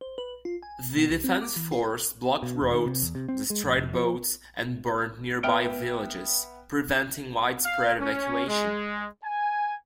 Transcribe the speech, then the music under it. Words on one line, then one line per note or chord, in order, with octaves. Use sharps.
The defense force blocked roads, destroyed boats, and burnt nearby villages, preventing widespread evacuation.
C5
B4
F4
G#5
B2
C2
C4
D6
E3
F4
B2
E1
D#3
C3
E2
C3
C4
G#3
A1
F1
F3
B3 E5 G5 F6 D7 G7
F5
C#4
G#3
G#5